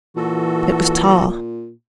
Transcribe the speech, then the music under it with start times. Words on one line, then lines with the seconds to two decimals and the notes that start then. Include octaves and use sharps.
It was Tall.
0.16 A#2 E3 F#4 A4